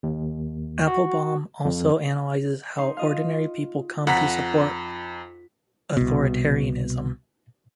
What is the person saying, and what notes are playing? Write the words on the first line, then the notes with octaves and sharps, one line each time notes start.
Applebaum also analyzes how ordinary people come to support authoritarianism.
D#2
F#4
F2
D#4 C6
F4 D#5 F5
F2 F4 F#5 A#5 B6
C2 B2